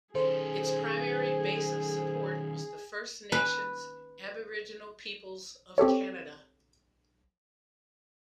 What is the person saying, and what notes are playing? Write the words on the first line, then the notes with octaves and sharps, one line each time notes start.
Its primary base of support was the First Nations aboriginal peoples of Canada.
D#3 C#4 G#4 A4 C5
B4
C4 G4 A4 C#5